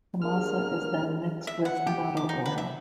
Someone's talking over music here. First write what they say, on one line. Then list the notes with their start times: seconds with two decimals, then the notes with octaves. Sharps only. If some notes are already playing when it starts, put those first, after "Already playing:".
The masa is then mixed with annatto oil.
0.22 G3 G#3 A#3 D4 A#4 F6
1.47 E5
1.65 F#5
1.87 G4
2.17 D6
2.29 D#4
2.46 B4
2.58 E5